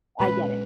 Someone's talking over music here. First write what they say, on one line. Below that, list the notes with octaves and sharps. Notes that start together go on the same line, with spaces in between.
I get it.
A#2 G#3 C#4 B4